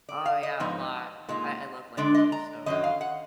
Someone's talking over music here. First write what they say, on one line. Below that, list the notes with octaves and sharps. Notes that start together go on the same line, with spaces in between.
Oh, yeah, a lot. I I love languages so,
D5
F5
D#5
G#2 F3 B3 D#4
A#2 G#3 D#4
D3 G#3 D4 D5
D#5
A#5
F#2 D#3 F#3 D#5
F5
F#5